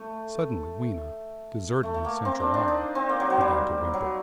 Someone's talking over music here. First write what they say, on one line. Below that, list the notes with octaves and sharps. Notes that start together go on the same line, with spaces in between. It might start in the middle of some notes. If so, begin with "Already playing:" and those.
Suddenly Weena, deserted in the central aisle, began to whimper.
Already playing: A3
A3
A3
A#3
C4
D4
D4
D#4
C4
A#3
F#3
F#3
G3
F#3